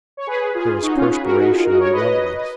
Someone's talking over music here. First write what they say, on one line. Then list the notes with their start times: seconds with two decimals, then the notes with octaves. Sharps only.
There was perspiration and grumblings.
0.17 C#5
0.27 G#4 B4
0.54 F4 G#4
0.82 D#4 F#4
0.96 C#4 F4
1.09 G#4 B4
1.23 F#4 A#4
1.38 D#4 F#4
1.51 F4 G#4
1.64 F#4 A#4
1.73 D#5
1.79 A#4 C#5
1.92 B4 D#5
2.37 D#5